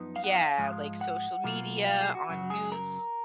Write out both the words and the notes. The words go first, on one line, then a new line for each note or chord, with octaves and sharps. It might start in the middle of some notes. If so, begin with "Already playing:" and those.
Yeah, like, social media, on news
Already playing: F#2 F3 B3 D#4
F5
F#5
F5
G#2 F3 G#3
F#5
B2 F#3 A#3 F4
F5
G#4
F#4
F#2 C#3 F#3 F#4
G#4
A#4